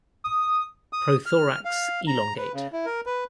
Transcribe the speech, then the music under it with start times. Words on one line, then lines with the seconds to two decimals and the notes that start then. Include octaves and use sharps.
Prothorax elongate.
0.24 D#6
0.93 D#6
1.26 F6
1.65 F5
2.07 A#5
2.37 B4
2.54 C#3
2.72 E4
2.86 A#4
3.06 B4